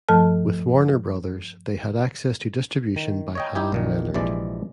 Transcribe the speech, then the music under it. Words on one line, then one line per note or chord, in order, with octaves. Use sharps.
With Warner Brothers they had access to distribution by Hal Leonard.
G2 F3 A3 A4 A5 F6
D#3
C#5 D#5 G5
D#4 E4 G4 G#5
A#1 A#2 D#3
A#1 C3 E3 G#3 D5